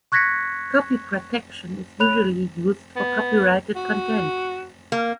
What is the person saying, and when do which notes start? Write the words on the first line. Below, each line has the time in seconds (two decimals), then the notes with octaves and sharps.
Copy protection is usually used for copyrighted content.
0.12 C#6 F#6 G#6 A#6 B6 C#7
2.00 C#5 B5 F#6 F7
2.96 B3
3.75 F#4
4.92 A#3